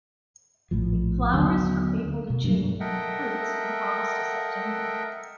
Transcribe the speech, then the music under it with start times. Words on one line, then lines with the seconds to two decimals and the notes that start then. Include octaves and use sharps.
It flowers from April to June and fruits from August to September.
0.71 A#1 A2 F3
1.33 D#2 D3 F#3 B3
2.30 B2
2.44 G2 F#3
2.80 A4 A#4 D#5 E5 F#5 G5